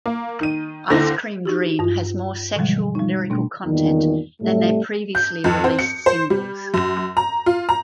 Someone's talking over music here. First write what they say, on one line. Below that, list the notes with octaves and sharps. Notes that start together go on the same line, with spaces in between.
Ice Cream Dream has more sexual lyrical content than their previously released singles.
A#3
D#3 D#7
D#2 D3 E4 C5 A#6
D#4 F#4 G4
G2 F4
B2 D3 E3 F3 G3 G#3
G3 D#4
B2 A3 D4
E2 G2 A#2 D#3
A2 C3 G3 A3
G6
F2
C4
C#7
C5
G3
F#2
A#5
F4
A#5